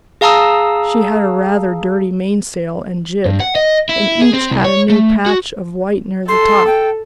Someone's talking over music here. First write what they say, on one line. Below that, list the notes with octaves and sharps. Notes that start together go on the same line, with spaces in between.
She had a rather dirty mainsail and jib, and each had a new patch of white near the top.
G#4 F5 A5 A#5 D#6 E6
G2
F#5
D#5
E4
G#4
C4
C2
C#5
A3
F#4
A4 C6
G5